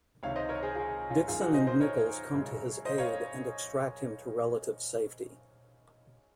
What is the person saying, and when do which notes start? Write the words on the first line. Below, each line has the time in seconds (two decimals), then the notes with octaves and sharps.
Dixon and Nichols come to his aid and extract him to relative safety.
0.23 C#2 C3 D#3 C#5 F5
0.36 C5 D#5
0.49 A#4 C#5
0.63 G#4 C5
0.75 F4 G#4
1.10 C#4 F4
1.28 F#2 D#3 A#3 F4 G#4
1.41 D#4 F#4
1.54 C5 D#5
1.67 C5 D#5
1.80 A#4 C#5
2.33 F#2 C#3 G#3
2.85 C5 D#5
2.98 C#5 F5